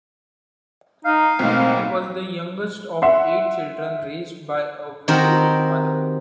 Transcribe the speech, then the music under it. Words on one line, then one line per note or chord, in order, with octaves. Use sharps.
He was the youngest of eight children raised by a widowed mother.
D#4 F5
B1 A2 A#3 C4 D#4
E5 F#5 C6
D#3 C4 F#4 G4 A#4